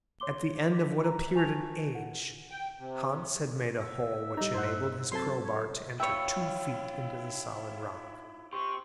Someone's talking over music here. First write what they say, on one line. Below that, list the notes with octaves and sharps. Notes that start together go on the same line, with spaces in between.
At the end of what appeared an age, Hans had made a hole which enabled his crowbar to enter two feet into the solid rock.
C#5 C6 D6 G7
D6 B6
A#5
G#5 A5 C#6 F7
F#5
G5
C3
E5
G3 D#4 A#5
G2 C5 F#5
F#3 C4 E4 A4 A5 C6
C#5
E4 F4 C#5 E5 G5 B5
G4 C5 C6 C#6